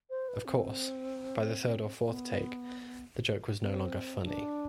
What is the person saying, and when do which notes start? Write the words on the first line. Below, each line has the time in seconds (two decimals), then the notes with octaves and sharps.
Of course, by the third or fourth take, the joke was no longer funny.
0.10 C5
0.28 B4
0.45 C4
2.07 B3
3.62 B3
3.69 C4
4.23 D4